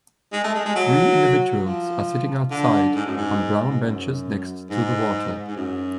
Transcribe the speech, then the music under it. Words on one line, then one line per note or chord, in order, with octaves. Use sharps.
Three individuals are sitting outside on brown benches next to the water.
G#3
A3
G#3
G#3
F#3
F3
D3
G#2
F#2
G#2
G#2
F#2
G#2
G#2
F#2